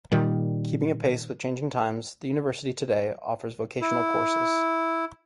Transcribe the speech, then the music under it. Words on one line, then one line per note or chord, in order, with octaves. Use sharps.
Keeping apace with changing times, the University today offers vocational courses.
A#2 D#3 G3
E4